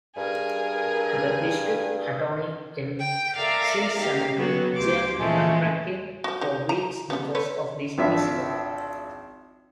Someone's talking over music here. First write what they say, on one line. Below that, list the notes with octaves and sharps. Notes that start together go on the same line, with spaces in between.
The district attorney in Cincinnati jailed McCrackin for weeks because of this incident.
G2 G#4 A#4
G5
A4 A#4 D5 E5 F5 A#5
A#3 D#4 G4 F5
C#3 F#3 B3
D2 G4 C6 D6
A#2 C#3 E3 F3 G#3 A3
F3 F#4
D#4 G4
A#5
G3 B3
A4 B4 C#5
G#1 F3 D4 E5